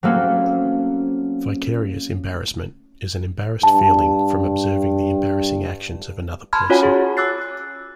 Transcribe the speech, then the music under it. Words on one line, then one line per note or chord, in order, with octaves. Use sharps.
Vicarious embarrassment is an embarrassed feeling from observing the embarrassing actions of another person.
F#3 A3 A#3 C4 C#4
G2 A5
A5 B5 C6 F6 G#6
C#4 F4 F#4 C#5 F#5 G#5
G#4
D6 E6 F#6 A6 C7